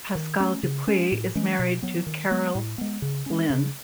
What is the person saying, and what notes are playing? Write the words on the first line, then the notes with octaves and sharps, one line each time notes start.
Pascal Dupuis is married to Carole-Lyne.
D#3
A3 C#4
C#3
G#3 C#4
A2
E3 G#3 C#4
B2
F#3 B3
D#3
G#3 B3
A2
G#3 B3
C#3
G#3 C#4
C#3